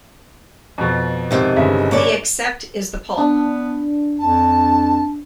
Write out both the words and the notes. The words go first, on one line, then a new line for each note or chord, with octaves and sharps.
The "accept" is the pulp.
F2 B2
G#2 C3 D#3
G1 C#3 E5
A#3 C#5 D5
B3 D4
F2 A5